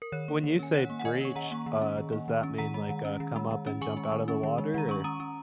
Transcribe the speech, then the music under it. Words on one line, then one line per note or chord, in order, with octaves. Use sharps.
When you say "breach," uh, does that mean, like, uh, come up and jump out of the water, or
A#4
D#3 C#5
A#3
D#3
C#4 G#5
D#3 C#5 F#5
A#3
F#5
D#3 D#5 G#5
C#4 C#6
D#3 F#5 A#5
A#3
D#3
C#4
D#3
A#3
D#3
C#4
D#3 F#5 A#5
G#3
D#3
C#4
D#3
G#3
D#3
C#4
D#3 G#5 C#6
G#3
D#3
C#4
D#3
G#3
D#3 A#5
C#4 C#6
C#4 A#5 D#6
C#4